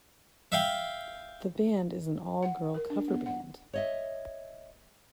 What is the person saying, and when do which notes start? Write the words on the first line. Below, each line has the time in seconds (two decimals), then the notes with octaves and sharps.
The band is an all-girl cover band.
0.52 E5 F5 G5
2.43 F#5
2.74 A#4
2.90 D4
3.08 B3
3.26 F#5
3.73 C#5 D#5 E5